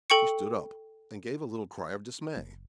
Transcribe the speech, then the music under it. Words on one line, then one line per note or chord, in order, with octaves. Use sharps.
She stood up and gave a little cry of dismay.
A4 G5 C#6 C#7
F#1